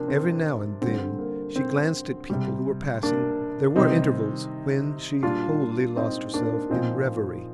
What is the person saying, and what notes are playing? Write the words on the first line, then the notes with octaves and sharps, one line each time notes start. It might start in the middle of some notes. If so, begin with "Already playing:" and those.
Every now and then she glanced at people who were passing; there were intervals when she wholly lost herself in reverie.
Already playing: C3 F3 A#3 D4
C4
D3 G3 C4
A#3
C4
C3 G3
A#3 D4
C3 D#3 G3 C4 D#4
A#2 G3 D4 F4
C4 D#4
A#3 D4
A#2 F3 C4 D#4